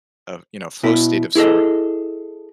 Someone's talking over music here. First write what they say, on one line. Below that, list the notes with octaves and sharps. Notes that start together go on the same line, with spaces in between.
uh, you know, flow state of sort
B2 E4
E4 G#4 A4 D#5